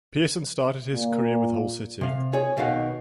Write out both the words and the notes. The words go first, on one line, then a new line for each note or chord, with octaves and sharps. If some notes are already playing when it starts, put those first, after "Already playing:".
Pearson started his career with Hull City.
A#2
C3 F5
G#4 C#5
B1 B2 D#3 F5 F#5